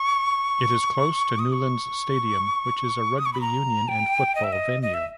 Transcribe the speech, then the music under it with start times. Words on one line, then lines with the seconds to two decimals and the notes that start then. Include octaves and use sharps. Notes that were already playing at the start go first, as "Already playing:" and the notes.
It is close to Newlands Stadium, which is a rugby union and football venue.
Already playing: C#6
1.39 D#6
1.53 C#6
3.18 D#6
3.26 C#6
3.33 B5
3.41 A#5
3.88 G5
4.35 D#5
4.44 E5
4.53 D#5
4.82 D#5
4.94 E5